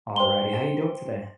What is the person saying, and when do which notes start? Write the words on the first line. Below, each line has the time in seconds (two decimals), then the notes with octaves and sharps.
Alrighty. How you doing today?
0.16 C5 G5 C6 G7